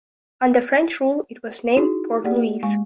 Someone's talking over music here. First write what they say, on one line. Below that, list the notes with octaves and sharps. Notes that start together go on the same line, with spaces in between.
Under French rule it was named Port Louis.
D#4 E4 F#4 G#4
A#3 G4 G#4 D5 F#5
G#3 G#5 C#6